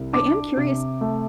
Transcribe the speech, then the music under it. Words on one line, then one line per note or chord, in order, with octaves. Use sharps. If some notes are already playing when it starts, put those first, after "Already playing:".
I am curious
Already playing: C2
D4 D6
C3
A3